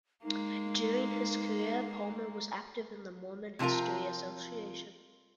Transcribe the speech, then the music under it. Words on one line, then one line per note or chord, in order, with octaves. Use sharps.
During his career Palmer was active in the Mormon History Association.
G#3 A#3 D#4
C3 F3 C4 F4 A#4